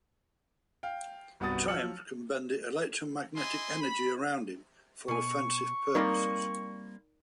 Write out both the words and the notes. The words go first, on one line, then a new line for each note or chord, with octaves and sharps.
Triumph can bend the electromagnetic energy around him for offensive purposes.
F5 G5
G1 C2 B3 F#4 D#6 A6
F3 F#3 E6 F6 C#7 F#7
E4 D#5 G#5 C6
B5
B2 G#5 C#6
G3 A#3 C4 D#4 A#4 D5